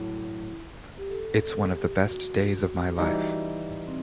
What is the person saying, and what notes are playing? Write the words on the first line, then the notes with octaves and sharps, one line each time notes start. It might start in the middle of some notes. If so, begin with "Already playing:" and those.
It's one of the best days of my life.
Already playing: A2 F#3 E4
G4
A4
A4
G4
F#4
E3 G3 D#4
C4